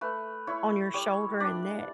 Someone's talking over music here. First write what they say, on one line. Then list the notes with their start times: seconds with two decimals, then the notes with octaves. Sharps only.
on your shoulder and neck,
0.01 A3 B4
0.47 E4 C#5
0.94 G3 C#5
1.40 D4 D5